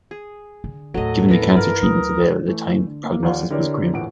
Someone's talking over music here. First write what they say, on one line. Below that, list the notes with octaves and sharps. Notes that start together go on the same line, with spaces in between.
Given the cancer treatments available at the time, the prognosis was grim.
G#4
D3
D#2 A2 F#3 A4 D#5
E3 B3 A#4
G2 F4 A#4 D5
D2 F#3 D#6
E3 A3
D3
A#3
D#2 F3 D5 F5 F#5
D3 E4 G4 A#4 C#5 D5
A#1 E2 A2 F#5 D7